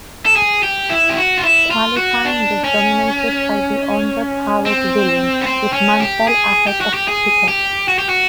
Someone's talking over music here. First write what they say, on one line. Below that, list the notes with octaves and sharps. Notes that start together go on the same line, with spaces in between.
Qualifying was dominated by the Honda powered Williams, with Mansell ahead of Piquet.
A4
G#4
G4
E4
G4
F#4
F4
E4
F4
F#4
D4
C#4
C4
B3
C4
C#4
G4
G#4
G4
F#4
G4
G#4
G4
F#4
G4
F#4